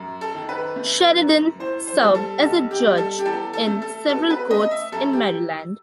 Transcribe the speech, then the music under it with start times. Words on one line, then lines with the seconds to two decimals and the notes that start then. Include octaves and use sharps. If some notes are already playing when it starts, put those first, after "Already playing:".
Sheredine served as a judge in several courts in Maryland.
Already playing: F#2
0.21 A4
0.35 D#3
0.49 B4
0.76 A3
1.18 F#2
1.60 A2 C5
1.87 C5
2.01 G3
2.15 A4
2.42 B1 A4
2.71 G4
2.84 G3
2.98 A4
3.19 G4
3.25 E2 A4
3.53 A4
3.67 A3
3.82 A4
4.09 B2 A4
4.30 B4
4.50 A3 D#5
4.71 E5
4.92 F#2 A4
5.13 G4